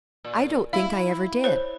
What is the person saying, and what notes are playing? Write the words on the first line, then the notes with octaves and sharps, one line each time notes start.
"I don't think I ever did."
A#2
E4 F5
C5 C#5